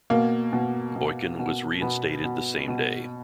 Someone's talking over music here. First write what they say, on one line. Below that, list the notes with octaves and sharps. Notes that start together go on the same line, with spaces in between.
Boykin was reinstated the same day.
B2 A#3
B2
B2
B2
B2 B3
B2
B2